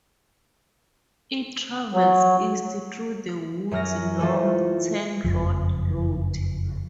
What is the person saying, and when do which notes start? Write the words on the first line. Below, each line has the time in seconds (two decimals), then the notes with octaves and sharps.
It travels east through the woods along Ten Rod Road.
1.93 F#3
3.71 F#2 F#3 F6 A#6
4.19 E3 A3 F4 A4 C5
5.24 F#1 F2 F3